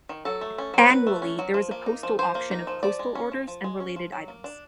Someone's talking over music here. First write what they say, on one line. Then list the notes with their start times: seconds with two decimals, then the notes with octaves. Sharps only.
Annually, there is a postal auction of postal orders and related items.
0.09 D#3
0.25 F#3 A4
0.41 A3
0.58 C#4
0.74 F#3 C5
0.90 F#3 B4
1.07 A3
1.22 C#4
1.39 F#3
1.54 F3
1.71 A#3
1.86 D#4
2.03 F3
2.19 F3 C5
2.35 A#3
2.51 D#4
2.67 F3
2.83 F3 D5
2.99 G#3
3.15 C#4
3.32 F3
3.48 F3
3.64 G#3
3.80 C#4
3.96 F3
4.12 F#3
4.28 A#3
4.44 D4